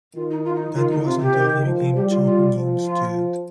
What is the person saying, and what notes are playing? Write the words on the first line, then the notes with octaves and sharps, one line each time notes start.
That was until he became Cho Hunhyun's student.
D#3 F4
D#4
F4
D#4
D#3 F4
D#4
C3 F4
G4
D#3
F3
G3 G4
F4
F4
F3
F4